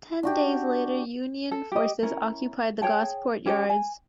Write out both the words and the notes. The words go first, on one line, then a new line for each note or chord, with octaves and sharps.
Ten days later Union forces occupied the Gosport Yards.
D4 F#4 G4
A4
G4 D#5
C#4 E4 A#4
G#4 C#5 G5 A5
C#4 G4 A4 C#5
G#5